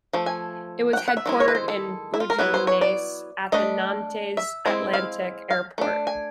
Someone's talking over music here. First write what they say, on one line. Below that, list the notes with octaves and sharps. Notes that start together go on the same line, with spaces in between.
It was headquartered in Bouguenais at the Nantes Atlantique Airport.
F3 A3
G#5
F#5
G5
F#5
E5
D#3 G#3 E4
C#5
B4
C5
A4
E4
F4
A#4
F#3 B3 E4 B4
C5
C#5
D5
A3 D4 D#5
E5
G#3 C4 E4
F5
F5
A3 D4
G#5